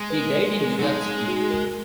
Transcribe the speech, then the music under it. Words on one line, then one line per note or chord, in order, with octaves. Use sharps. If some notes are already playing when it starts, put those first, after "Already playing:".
He died in New York City.
Already playing: G#3
B4
A#4
A#4
G#4
F#3
G#3 D#4
F#4
A#4